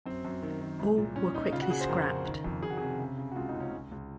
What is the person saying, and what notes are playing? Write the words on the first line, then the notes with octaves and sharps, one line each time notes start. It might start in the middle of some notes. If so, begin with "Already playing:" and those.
All were quickly scrapped.
F#2 C4
F#2
D#3
D#3
C2
A#2
A#2 C#4
A#2 D#4
C#3 F4
F#4
C#3 G#4
C5
F2 A#4
C#3
D#3
F2
F2 G#4
F#4
C3 G#4
C#3
C#3
F#4
C#2 F4
D#4
C#2
C#4
C#2
C#2